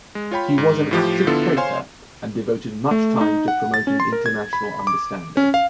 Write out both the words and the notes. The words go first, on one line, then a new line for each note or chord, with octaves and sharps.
He was an active Quaker and devoted much time to promoting international understanding.
G#3
F4 C#5 G5 B5
G#2
A2 F3 G4
D3 B3 E4 F4 A4
C5 C#5 F5 G#5 C6
A3
D#4
F#5
A6
C#4
C6
A#4
G#6
B5
D6
C#4
F5